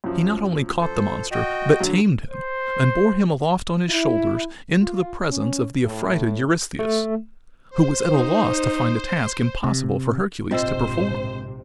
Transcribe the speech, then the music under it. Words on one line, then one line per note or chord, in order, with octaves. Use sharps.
He not only caught the monster, but tamed him, and bore him aloft on his shoulders, into the presence of the affrighted Eurystheus, who was at a loss to find a task impossible for Hercules to perform.
F#2 F3
A4 C5
F#4 D#5 G5
D3 F#3
C5
E4
F4
C#4
A2
A3
C5
D#4
C3
A#1 G#2 C3 C4 F4 C5 D#5 E6